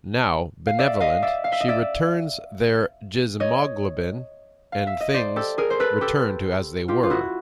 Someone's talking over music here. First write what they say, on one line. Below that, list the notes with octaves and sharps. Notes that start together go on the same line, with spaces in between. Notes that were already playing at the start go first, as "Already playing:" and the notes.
Now benevolent, she returns their Jizmoglobin, and things return to as they were.
F5
D5 E5
D#5 F5
D5 E5
F5
E5
D#5
D5 E5
C#5 D#5
F5
E5
D#5
C5 D5
G4 A4
G#4 A#4
C5
A4 B4
G4 A4
F4 G4
F4
E4 F#4